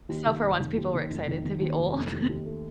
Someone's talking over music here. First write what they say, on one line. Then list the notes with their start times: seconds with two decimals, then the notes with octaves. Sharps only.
So, for once, people were excited to be old?
0.09 D#2
0.26 D#3
0.43 F1
0.60 D#3
0.77 D#2
0.94 D#3
1.10 F1
1.28 D#3
1.44 D#3
1.61 D#2
1.79 F1
1.95 F1
2.12 D#2
2.29 D#2
2.46 A3